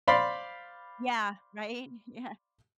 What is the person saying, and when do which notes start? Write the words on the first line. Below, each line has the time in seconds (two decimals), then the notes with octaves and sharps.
Yeah. Right, yeah
0.07 C5 D5 F5 B5 C6